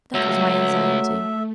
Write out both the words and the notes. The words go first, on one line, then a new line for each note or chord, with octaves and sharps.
That was my anxiety.'
C#2 F#3 A3 E5